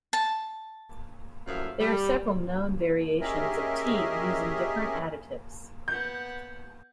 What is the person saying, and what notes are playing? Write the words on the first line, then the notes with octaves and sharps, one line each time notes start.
There are several known variations of tea using different additives.
A5
F#2 A2 F3 G#4 E5 F5
G3
C#4 G4 G#4 A#4 D#5 E5
B3 F#5 G6